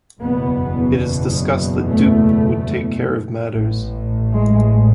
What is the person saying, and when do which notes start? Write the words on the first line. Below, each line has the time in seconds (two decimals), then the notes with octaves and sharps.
It is discussed that Doop would take care of matters.
0.20 F#1 E2 B2 B3
1.86 A3
3.51 A1 A2
4.34 G#3